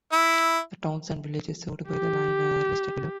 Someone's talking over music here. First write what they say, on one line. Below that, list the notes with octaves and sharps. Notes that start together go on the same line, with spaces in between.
The towns and villages served by the line are listed below.
E4
G4